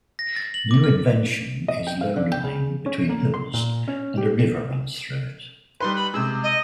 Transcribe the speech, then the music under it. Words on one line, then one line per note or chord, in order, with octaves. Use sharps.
New Invention is low-lying between hills and a river runs through it.
A#6
A6
F#7
D6
F6
D#5
G5
F5
D3
G5
C#3
C#4
A#3
C6
A#2
C#4
G4
G3 D#4 B4 C6
B5
C3 G#3 E6
D#5